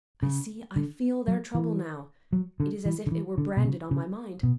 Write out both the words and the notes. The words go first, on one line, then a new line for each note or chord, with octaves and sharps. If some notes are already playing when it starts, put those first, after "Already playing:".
I see,--I feel their trouble now; it is as if it were branded on my mind.
C#3
D3
F#3
E3
F#3
D3
E3
D3
E3
D3
B2
C#3
C#3
B2